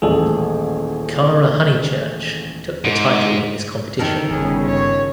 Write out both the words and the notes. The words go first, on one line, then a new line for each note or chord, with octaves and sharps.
Cara Honeychurch took the title in this competition.
D#1 A1 G#4 A4
G#2
F2 D#3 A4 A#4
G1 C#3 G#4
C#5